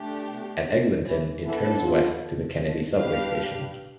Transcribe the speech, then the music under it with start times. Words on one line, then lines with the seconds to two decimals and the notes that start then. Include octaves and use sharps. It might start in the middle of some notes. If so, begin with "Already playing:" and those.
At Eglinton, it turns west to the Kennedy subway station.
Already playing: A3 D4 G4
0.28 B2
0.66 D3
1.05 E3
1.44 E3 B3 D4 A4
1.82 F3
2.59 F3
2.98 G2 D4 G4 B4 F5